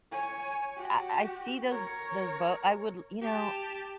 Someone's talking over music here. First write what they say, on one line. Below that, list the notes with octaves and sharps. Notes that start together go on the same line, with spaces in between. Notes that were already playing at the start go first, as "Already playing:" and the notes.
I I see those those boat I would l you know,
C#5 G#5
F#4 G4
A#4 C#5
G4 A5